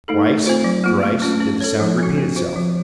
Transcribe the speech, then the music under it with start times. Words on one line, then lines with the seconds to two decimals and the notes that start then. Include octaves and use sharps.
Twice, thrice did the sound repeat itself.
0.08 A3 D#4 A4
0.26 A3
0.46 C4 F4 C5
0.64 F#3
0.84 A#3 F4
1.03 A3
1.22 C#4 F4
1.40 C#4
1.61 A4 C#5
1.80 F3
1.98 C4 F#4
2.18 C4
2.36 F4 C5
2.56 F3